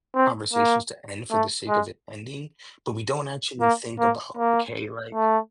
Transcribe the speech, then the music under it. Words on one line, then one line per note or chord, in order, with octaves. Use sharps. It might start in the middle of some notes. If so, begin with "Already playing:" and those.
conversations to end for the sake of it ending, but we don't actually think about, like hey, like,
C4
A#3
A3
G#3
A#3
A#3
A#3
A3